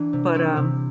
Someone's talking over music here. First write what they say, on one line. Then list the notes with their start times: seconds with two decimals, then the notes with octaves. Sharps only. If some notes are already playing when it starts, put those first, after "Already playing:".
But, um,
Already playing: E3 A#3 D4
0.13 C3
0.34 G3 C4 E4
0.57 C3